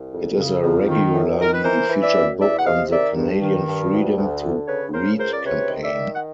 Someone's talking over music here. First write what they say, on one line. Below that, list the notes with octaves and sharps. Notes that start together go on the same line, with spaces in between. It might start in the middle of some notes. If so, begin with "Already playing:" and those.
It is a regularly featured book on the Canadian Freedom to Read campaign.
Already playing: C2
F2
C#3
F2
D#3
F#2
D#3 A#4
B4
E3 A#4 C5
E3
D5 E5
F#2
E2 D5 E5
F#5
C3 D#5 F5
D#3 D5 E5
G2
D#3
G2
D2
D2
D3
C#3 B4 C#5
C#3 A#4 C5
C#2 A#4 C5
D5
C3 B4 C#5
D#3
D5 E5
D#3
F#5